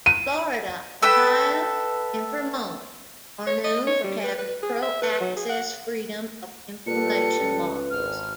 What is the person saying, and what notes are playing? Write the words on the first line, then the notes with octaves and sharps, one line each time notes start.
Florida, Ohio, and Vermont are known for having pro-access freedom of information laws.
D#7
A4 B4 E5 G5
C#5
D#5
C#5
G3
B4
B4
G#4
E5
B4
F#3
G#4
F#5
A#2 G3 A4 B4 C#7
C#2
G#1 F6